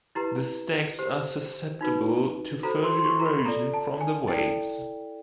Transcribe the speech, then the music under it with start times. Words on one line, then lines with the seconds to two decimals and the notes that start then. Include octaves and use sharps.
The stacks are susceptible to further erosion from the waves.
0.15 E4 G4 B4 A#5
0.99 G4 C5
1.81 D#4 F#4 B4
2.63 F#4 A4 C5 A#5
2.84 C6
2.99 C6
3.04 C#6
3.20 A#5
3.26 B5
3.45 F4 A4 D5 A#5
3.74 A5
4.01 G#5
4.28 E4 A4 D5 G5